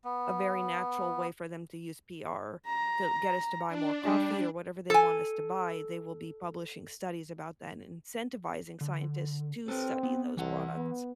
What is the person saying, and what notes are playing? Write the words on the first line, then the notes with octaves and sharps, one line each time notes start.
a very natural way for them to use PR to get us to buy more coffee or whatever they want us to buy, they will be publishing studies about that and incentivizing scientists to study those products.
B3
A#5
D4
G3
A4 G#5
D3
C4 A4 B4
B3
C2 E3 F#5
B3